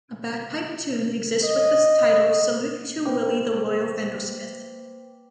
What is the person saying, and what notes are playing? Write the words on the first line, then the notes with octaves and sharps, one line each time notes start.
A bagpipe tune exists with the title "Salute to Willie the Royal Fendersmith".
D#5
A#3 B4 C5 G5 D6